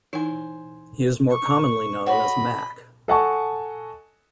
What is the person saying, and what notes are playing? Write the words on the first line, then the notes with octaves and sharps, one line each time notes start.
He is more commonly known as "Mac".
E3 D#4 E4 C5 G#5
C#6
F#4 A4 C#5 D#5 B5 C6
A4 D#5 F#5 G#5 A5 C#6